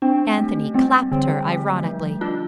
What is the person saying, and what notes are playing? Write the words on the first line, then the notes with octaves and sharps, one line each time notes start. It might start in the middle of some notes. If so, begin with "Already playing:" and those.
Anthony clapped her ironically.
C4 D4
A3
G3 C4
D3 C4
A3
F3
D4 F4